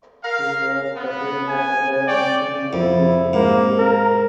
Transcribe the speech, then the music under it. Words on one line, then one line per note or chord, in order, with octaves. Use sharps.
She was president of the Mexican Education Society.
A#4 F5
B3
G#5
C#5 D5 G5
F2 E4
G#2 A#3
A#4